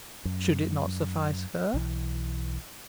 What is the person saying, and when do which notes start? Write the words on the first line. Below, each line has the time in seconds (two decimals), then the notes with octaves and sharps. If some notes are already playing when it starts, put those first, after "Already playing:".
Should it not suffice her?
0.25 F#2
1.74 B1 E3